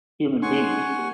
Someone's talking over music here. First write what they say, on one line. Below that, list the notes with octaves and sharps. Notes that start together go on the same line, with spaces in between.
human being.
C#4 D#4 F#5 G#5 C6 C#6
A#3 G4